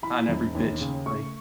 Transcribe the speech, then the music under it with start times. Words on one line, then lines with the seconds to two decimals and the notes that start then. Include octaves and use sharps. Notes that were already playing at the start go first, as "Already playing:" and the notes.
on every pitch, like,
0.03 E3 B5
0.28 E1
0.55 D#2
0.81 C#3
1.06 A3 C#6